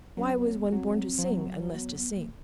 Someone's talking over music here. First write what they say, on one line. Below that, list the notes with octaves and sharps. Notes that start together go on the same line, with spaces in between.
Why was one born to sing, unless to sing.
F#3 C#4
B3
C4
B3
F#3 C4
F3
F#3
A#3
B3
B3
A#3